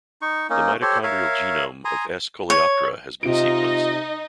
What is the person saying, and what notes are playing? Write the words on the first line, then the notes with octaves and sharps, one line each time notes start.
The mitochondrial genome of "S. coleoptrata" has been sequenced.
D#4 C#6
A#3 C#4 D#4
G4 A4 C5 C#5
A#4 C#5 E5 F5
G#5 A#5 C6 D#6
C#5
C3 D#4 F4 D#5 D7